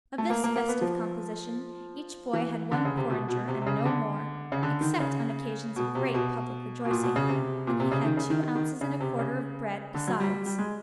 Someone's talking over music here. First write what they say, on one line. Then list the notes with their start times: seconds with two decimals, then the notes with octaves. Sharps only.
Of this festive composition each boy had one porringer, and no more--except on occasions of great public rejoicing, when he had two ounces and a quarter of bread besides.
0.18 A3
0.30 A#3
0.44 A#3
0.56 A#3
0.69 B3
0.81 F3
2.33 E3
2.71 D3
2.85 C#3
2.97 C3
3.10 B2
3.28 B2
3.48 C3
3.62 C3
3.66 C#3
3.85 D3
4.52 C#3
4.63 D3
4.81 D#3
5.00 C#3
5.76 B2
5.95 C3
6.14 B2
6.85 B2
6.91 A#2
7.03 B2
7.16 C#3
7.29 C3
7.67 A#2
7.80 C3
7.91 C#3
8.05 D#3
8.17 C#3
8.30 D#3
8.43 D#3
8.55 D#3
8.81 C#3
9.00 C3
9.19 C#3
9.94 D3
10.08 F#3
10.20 G3
10.34 G3
10.46 G3
10.59 G#3